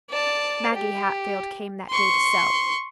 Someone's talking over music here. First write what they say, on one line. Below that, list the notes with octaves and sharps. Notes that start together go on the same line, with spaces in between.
Maggie Hatfield came that day to sew.
D5 A5
G4
C6 C#6